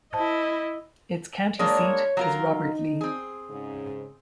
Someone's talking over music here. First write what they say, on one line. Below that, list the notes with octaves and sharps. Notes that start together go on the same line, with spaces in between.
Its county seat is Robert Lee.
E4 C5 D#5 A5
G#3 A#3 D4 C#5
F#3 F4 A#4
D#4
C4 G#4
G#2 C#3